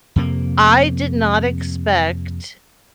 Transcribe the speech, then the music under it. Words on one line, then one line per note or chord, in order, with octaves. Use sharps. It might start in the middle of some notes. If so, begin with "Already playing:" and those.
I did not expect
F2 C3 A#3